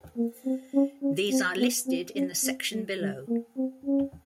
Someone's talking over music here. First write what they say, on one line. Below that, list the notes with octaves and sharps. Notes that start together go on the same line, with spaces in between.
These are listed in the section below.
A#3
C4
C#4
C#4
C4
B3
C4
C#4
C4
A3
G3
A#3
C4
C#4